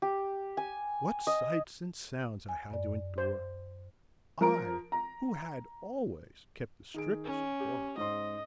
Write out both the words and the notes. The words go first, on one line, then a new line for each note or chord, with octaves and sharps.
What sights and sounds I had to endure--I who had always kept the strictest decorum!
G4
G#5
D#5
G#5
F#2 D5
C5
F3 A#4 A#5 D7
A#5
D#3 G#4 D7
C#4
G4
G#2 C5 D#5 C6